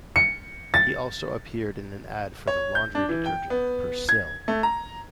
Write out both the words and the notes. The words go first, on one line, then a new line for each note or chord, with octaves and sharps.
He also appeared in an ad for the laundry detergent Persil.
C#7
A6
C#5
G6
D4
E3
G5
B3
G#6
A3
A#5